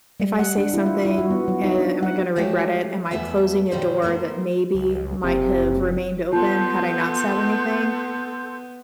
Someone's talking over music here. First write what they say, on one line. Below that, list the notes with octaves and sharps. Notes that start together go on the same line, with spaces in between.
if I say something, eh, am I gonna regret it? Am I closing a door that maybe might have remained open had I not said anything?
G3
F#5
D4
E4
F4
E4
F#4
B3
F#3
D#4
D4
F#5
F3 G#3 A3 F#4 G4 C#5
E2 A3 B3 G#4 E5
A#2 D#3 F#3 G3 C5 C#5
A3 B3 A#4 C5
C#2
F#1 C3
B3 F4 A4 A5 C6 G6